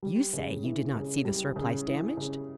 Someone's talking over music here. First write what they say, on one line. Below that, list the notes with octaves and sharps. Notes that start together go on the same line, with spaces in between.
"You say you did not see the surplice damaged?"
G3
C#3
E3
C#3
G3
C#3
E3
C#3